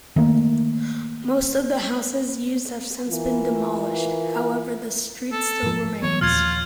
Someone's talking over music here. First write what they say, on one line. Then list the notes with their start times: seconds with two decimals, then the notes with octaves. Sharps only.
Most of the houses used have since been demolished, however the street still remains.
0.16 D#3 A3 A#3
3.08 E3 F4 A#4 B4
5.32 A4
5.63 G#2 F3
6.03 E3 F#3 B3 C#5
6.21 D#2 A#2 F3 F4 F6 G#6